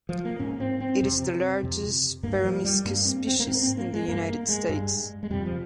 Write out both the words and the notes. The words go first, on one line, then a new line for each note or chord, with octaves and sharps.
It is the largest "Peromyscus" species in the United States.
F3
A#3
G#2 C#4
C4
C4
F2 C3
F2 C3
G2 A#3
F3
G3
G2 A#3
C4
C4
A#3
G#2 C4
C4
A#3
G#3
G2 A#3
A#3
G#3
G2
G#3
F2 C3 G3
F3